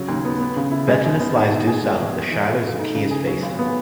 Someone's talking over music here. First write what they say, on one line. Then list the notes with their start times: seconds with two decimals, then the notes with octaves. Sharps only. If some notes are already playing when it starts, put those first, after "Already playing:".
Bettinus lies due south of the Schiller-Zucchius Basin.
Already playing: C#3 F#3
0.08 D#2
0.25 B3
0.40 B3
0.56 C#3
0.71 E4
0.88 G#3
1.04 F#2
1.19 B3
1.36 D#4
1.52 B2
1.67 G#4
1.84 G#3
2.00 E2
2.15 E2
2.31 E3
2.48 G#1
2.63 A3
2.79 D#4
2.95 C#3
3.11 G#4
3.27 F#3
3.43 G#1
3.59 B3